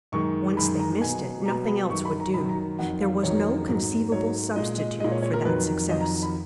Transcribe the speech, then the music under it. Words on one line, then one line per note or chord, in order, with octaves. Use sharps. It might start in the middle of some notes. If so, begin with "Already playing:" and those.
Once they missed it nothing else would do; there was no conceivable substitute for that success.
F#2 D#3 G#3 C#6
F#2 D#3 G#3 B5
A#5
B2 F#3 G#5
B2 F#3 A#5
B5
F#2 D#3 F#3 C#6
B5
A#5
F#2 D#3 F#3 B5
A#5
F2 D#3 F#3 F#5
F5
F2 D#3 F#3 C#5
G#2 F#3
G#2 F#3 C#5
A#2 G#3 D#5
D#5
A#2 G#3 D#5
C#5
C#5
A#4
F2 D#3 F#3 B4
F2 D#3 F#3 D#5
A#5
B5